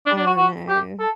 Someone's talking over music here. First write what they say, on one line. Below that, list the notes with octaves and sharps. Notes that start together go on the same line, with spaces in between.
Oh, no.
D4
D4
F#4
F#4
G4
A4